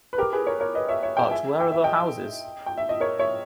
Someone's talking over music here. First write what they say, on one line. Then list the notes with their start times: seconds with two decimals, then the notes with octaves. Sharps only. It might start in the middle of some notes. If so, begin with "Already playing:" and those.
But where are the houses?
0.13 B4
0.18 G4 A#4
0.33 G#4 B4
0.47 A#4 C#5
0.60 A#4 C#5
0.75 B4 D#5
0.88 C#5 E5
1.03 C#5 E5
1.17 D#5 G5
1.31 E5 G#5
1.60 G5
1.72 E5
1.84 D#5 G5
2.66 G5
2.77 E5
2.89 D#5
3.00 A#4 C#5
3.19 C#5 E5